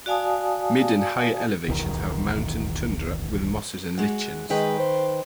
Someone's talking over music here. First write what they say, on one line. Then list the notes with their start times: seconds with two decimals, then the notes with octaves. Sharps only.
Mid and higher elevations have mountain tundra with mosses and lichens.
0.06 F#4 D5 F5 G#5 A5 D#6
1.68 D1 B1 E2 D#3
3.98 G#3 F#4
4.50 D#3 G#3 B4 G5
4.79 C5